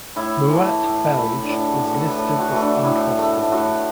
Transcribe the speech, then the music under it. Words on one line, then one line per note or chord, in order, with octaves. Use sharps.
Murat Belge was listed as untrustworthy.
A2 E4
E3 A3
A2
E3 A3
D4
A2 E4
A4
F#4
E3 A3
A4
B4
A2 A4
F#4
E3 A3
D4
A2 E4
A3
A2 F#4